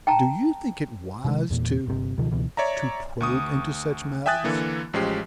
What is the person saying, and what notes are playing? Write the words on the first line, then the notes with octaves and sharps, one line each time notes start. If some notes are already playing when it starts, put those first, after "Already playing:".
Do you think it wise to--to probe into such matters?
G5 A5 A#5
C3 D#3 G#3
E2 A#2
G1 C3
C#2 B2 D#3 F3
C#2 B2 E3
C#5 D5 E5 A#5
D2 C#6 D#6
E5 G5 G#5 D#6 F#6 A6
D3 E3 A#3
A1 F3 G#3 C#4 G4 C7